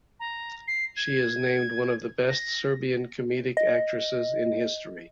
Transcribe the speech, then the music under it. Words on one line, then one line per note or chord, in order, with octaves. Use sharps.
She is named one of the best Serbian comedic actresses in history.
A#5
C7
G#6
A#6
D#5